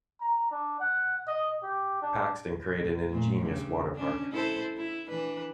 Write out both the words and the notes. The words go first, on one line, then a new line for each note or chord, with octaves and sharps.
Paxton created an ingenious water park.
A#5
D4
F#5
D#5
G4
D4
A#2 A3
G2 C#3
C#4 D4
E4 A4 C5
E4
E3 D4 B4